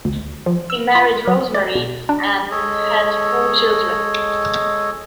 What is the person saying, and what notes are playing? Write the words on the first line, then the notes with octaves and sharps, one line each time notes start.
He married Rosemary and had four children.
D2
F3
E6
F4
F#3
D5
B2
D4
G#3 A4 C#5 D#5